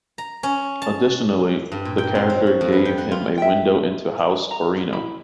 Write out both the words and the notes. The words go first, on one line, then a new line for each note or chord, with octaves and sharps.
Additionally, the character gave him a window into House Corrino.
A#5
C#4
A5
G2
A#2
G5
C4
F#3
F#4
F2
B4
G5
F#5
F4
E5 G5
A#5
E4